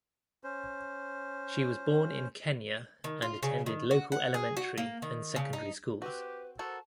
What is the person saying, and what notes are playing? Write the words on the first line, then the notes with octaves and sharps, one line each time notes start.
She was born in Kenya and attended local elementary and secondary schools.
C#4 C5
D#3
F4
C#3
D#3
F#4
F#5
G#4
F#4
A#3
D#3
C#3
D#4
C4 F#4 G4 B4
F#4 A4 A#4 C5 A5